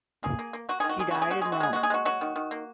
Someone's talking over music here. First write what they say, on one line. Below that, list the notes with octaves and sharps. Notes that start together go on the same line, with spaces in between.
She died in Rome.
A#3 G#4
A#3
A#3
A#3 F#4
D#3 G#4
F#4
A#3 G#4
C#3 F#4
G#4
C#3 F#4
G#3 G#4
F#4
G#3 G#4
G#3 F#4
G#4
G#3 F#4
F#3 F#4
D#3
D#3
A#3